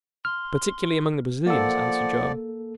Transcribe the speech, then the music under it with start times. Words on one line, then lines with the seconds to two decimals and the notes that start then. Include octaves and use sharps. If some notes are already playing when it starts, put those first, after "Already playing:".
"Particularly among the Brazilians," answered Joam.
0.25 C6 F6
1.46 F3 A#3 A4 D5 F#5